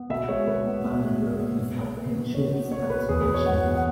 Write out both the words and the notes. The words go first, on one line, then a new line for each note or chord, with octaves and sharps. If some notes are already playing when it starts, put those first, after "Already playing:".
Man in American Flag print shorts, hat, and shirt.
Already playing: B3
B2 E5
G#3 C#5
B2 B4
B3
B2
G#3
B2 G#4
B3
B2
B3
B3 B4
B2
B2 C#5
B3
B3 C#5
B2 B4
E2 G#4
B4
B2
C#5
E2 F#5
F#5
B3
F#5